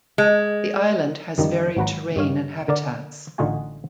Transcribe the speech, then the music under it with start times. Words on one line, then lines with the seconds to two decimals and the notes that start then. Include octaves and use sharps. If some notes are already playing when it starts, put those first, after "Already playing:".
The island has varied terrain and habitats.
0.18 G#3
1.38 F#2 D#3 F3 G3 D#4
1.77 G#1 F#3 F#4 B4 A#5
2.16 G2 D#3 C#5 F5
2.68 D3 A#4 D5
3.38 A1 D3 D#4 F4 F#4 G#5